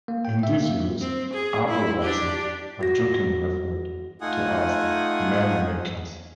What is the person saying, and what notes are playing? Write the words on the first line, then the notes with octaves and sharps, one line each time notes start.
In this use Apple Boxes are jokingly referred to as "Man Makers".
A#3
G5
E5
A#3
C4
G#4
E4
D4 G4
F#4 A#6
A3 D#4 F4 F#5 G#5 D#6